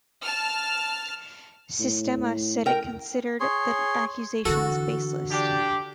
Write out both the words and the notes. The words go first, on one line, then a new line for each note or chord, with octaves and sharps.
Sistema said it considered the accusations baseless.
A5 F6
A2
A#4 G5
G#4 C#5 C6
D3 E3 F#4 A4
D4 G4